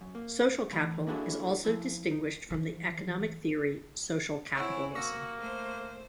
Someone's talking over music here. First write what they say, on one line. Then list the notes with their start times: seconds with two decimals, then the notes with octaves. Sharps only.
Social capital is also distinguished from the economic theory social capitalism.
0.01 F#2
0.15 A#3
0.73 E3 A3 B5
1.07 A#3 D4 E4 F#4 G#4 A4
1.65 F3 E4
2.11 D#4
2.50 E3 F3
4.55 C4 E4 C#5 F#5 G#5 E6
4.95 A#3 F#4 C#6 E6 A#6
5.39 A3 C5